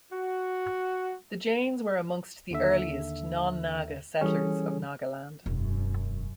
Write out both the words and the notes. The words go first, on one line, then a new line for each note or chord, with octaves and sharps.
The Jains were amongst the earliest non-Naga settlors of Nagaland.
F#4
D#2 D3 E5
E3 G3 C#4 G#4 A4
E1 F#2